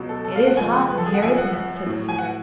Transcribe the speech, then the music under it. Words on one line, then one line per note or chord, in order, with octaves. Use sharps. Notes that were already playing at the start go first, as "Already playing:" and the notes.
'It is hot in here, isn't it!' said the suitor.
Already playing: C#2 B2 F#3
A4
A4
F5
F#5
F2 C#3 F3 G#3 G#5
F#5
B4
A4
G#4
F#5
F#2 F3 G#3 G#5
F#5
A2 F#3
G#5
F#5